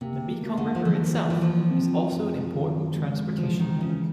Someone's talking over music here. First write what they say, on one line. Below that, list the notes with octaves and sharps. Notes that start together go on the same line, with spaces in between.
The Mekong River itself is also an important transportation link.
C3 A#3
A#3
D3
F3
E3 F#3
E3
E3 F4
F3
C4
F#2
D#3
G#3
E3 F3
D#3
C#3 E3